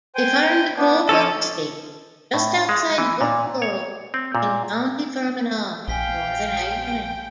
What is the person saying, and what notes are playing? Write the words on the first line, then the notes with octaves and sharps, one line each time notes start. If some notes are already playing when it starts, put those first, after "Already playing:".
They farm the Colebrooke Estate, just outside Brookeborough in County Fermanagh, Northern Ireland.
C5 G5 G#5
B3 D4
F3 C#4 A4 G#5 D6
A2
G#3
E3
A#2
C#5
C4
A#2
A#1 F5 G5 G#5 B6 G7